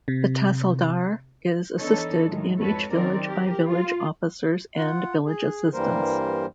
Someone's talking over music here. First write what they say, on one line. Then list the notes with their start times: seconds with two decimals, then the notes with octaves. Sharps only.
The Tahsildar is assisted in each village by village officers and village assistants.
0.08 C3
1.78 E3 B3 D4 D#4 A4 C#5
2.26 A2 D#3 F#3 G#3
2.60 F2 G#2 F#4 A4 B4 C#5
2.90 D#3 F#3 C4 C#4 A#4 D5
3.24 G4 A#4
3.67 F4
4.77 F4 F#5
5.26 G#4
5.73 G2 E3 G3 A#3 A#4 C5